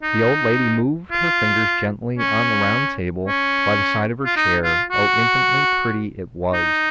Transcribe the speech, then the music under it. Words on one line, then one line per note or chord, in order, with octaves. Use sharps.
The old lady moved her fingers gently on the round table by the side of her chair,.. oh, infinitely pretty it was....
D#4
F4
C#4
C#4
F4
D#4
F4
F#4
D#4